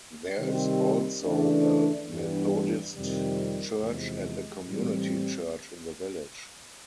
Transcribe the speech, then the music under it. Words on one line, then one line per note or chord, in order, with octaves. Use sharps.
There is also a Methodist church and a Community church in the village.
C3 D#3 G3 C4
C#3 E3 A3 D4
G2 E3 G3 B3 D4
F2 C3 D#3 G3
E2 C3 F3 G#3
A2 E3 G3 C4